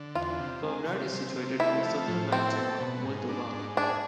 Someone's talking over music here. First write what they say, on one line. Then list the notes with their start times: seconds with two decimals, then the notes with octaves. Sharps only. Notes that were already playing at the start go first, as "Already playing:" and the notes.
Comrat is situated in the southern wine zone of Moldova.
Already playing: D3
0.15 E2 F4
0.39 C3
0.64 G#3
0.88 C3
1.12 C3
1.36 C3
1.60 A3 E4
1.85 F3
2.08 A2
2.32 C4 E4
2.56 A4
2.80 B2
3.05 G#2
3.29 D4
3.53 G#2
3.77 D4 G#4